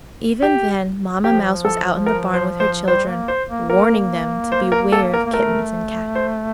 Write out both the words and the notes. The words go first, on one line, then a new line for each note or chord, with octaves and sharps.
Even then Mamma mouse was out in the barn with her children, warning them to beware of kittens and cats.
G4
F3 G4
A4
A#4
C5
C5
G3 C5
A#3
C5
A#3
A#3 A#4
C5
A#4
A4
A#4
A#3
A3 A#4
C5